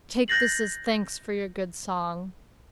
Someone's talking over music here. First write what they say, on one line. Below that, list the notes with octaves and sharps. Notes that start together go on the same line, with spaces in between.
"Take this as thanks for your good song."
F#6 G6 A6 A#6 C7 F#7